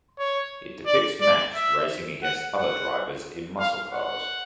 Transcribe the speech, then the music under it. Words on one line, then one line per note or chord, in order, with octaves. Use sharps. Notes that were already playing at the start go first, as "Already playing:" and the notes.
It depicts Max racing against other drivers in muscle cars.
C#5
D5
D5
E5
F#5
F#5
F5
F#5